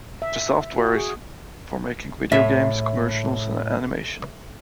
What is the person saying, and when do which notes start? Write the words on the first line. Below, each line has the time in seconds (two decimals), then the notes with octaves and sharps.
The software is for making video games, commercials, and animation.
0.22 E5
0.77 F#4
0.95 G#4
2.32 A2 E5